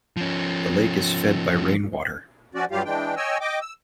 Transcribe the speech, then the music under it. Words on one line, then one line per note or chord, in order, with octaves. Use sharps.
The lake is fed by rain water.
F3 C#4
F3 C#4 F#4 D5
G2 F#3 G3 F4 G4 F5
E3 G#3 D4 G5
C#5 D#5 G5 G#5 E6
D#5 G5 D6
E6